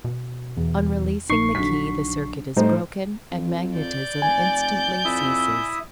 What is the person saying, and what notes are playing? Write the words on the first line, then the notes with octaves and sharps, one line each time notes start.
On releasing the key the circuit is broken and magnetism instantly ceases.
B2
E2
A#1 D#4 C#6 C7
D3 F#3 B6
A2 G3 D#4 C5
F2
D5 G6
F1 G#5
F2 E4 E5 D#6